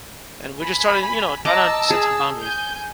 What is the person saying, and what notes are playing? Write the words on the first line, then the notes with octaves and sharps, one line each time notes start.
And we're just starting, you know, trying to set some boundaries.
G#5 B5
D#5 A5 A#5 D6 E6
G#4
G#5 G6